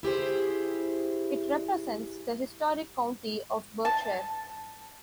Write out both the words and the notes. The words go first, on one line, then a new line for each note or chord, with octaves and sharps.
It represents the historic county of Berkshire.
E4 G4 G#4 C5
A5